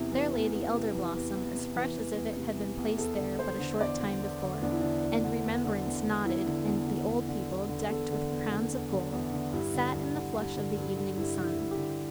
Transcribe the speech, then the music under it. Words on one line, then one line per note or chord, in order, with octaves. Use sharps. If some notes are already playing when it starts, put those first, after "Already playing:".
There lay the Elder-blossom, as fresh as if it had been placed there but a short time before; and Remembrance nodded, and the old people, decked with crowns of gold, sat in the flush of the evening sun.
Already playing: E2 C3 E4
E3
E2
E2
C3
E3
E2
E2
C3
E3
E2
E2
C3
E3
E2
E2 A4
D3
E2 C5
D3
E2 D5
D3
E2
D3
E2 D4
E4
D3 D4
E2
D3
E2
D3
E2
D3
E2 E4
D3
E2
D3
E2
D3
E2
D3
E2 A4
D3
E2
D3
E2
D3
E2
D3
G2 E4
D3
G2
D3
G2
D3
G2
D3
G2 E4
D3
E4
G2
G4
D3